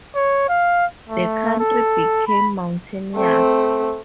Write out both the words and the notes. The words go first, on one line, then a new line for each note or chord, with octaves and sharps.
The country became mountainous.
C#5
F5
A3
A4
B5
A3 C4